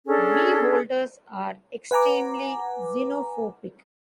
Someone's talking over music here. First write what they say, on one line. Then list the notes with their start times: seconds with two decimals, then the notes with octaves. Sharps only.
Beholders are extremely xenophobic.
0.06 C#4 D4 G#4 A4
1.91 B4 F#5 G#5 A#5 D6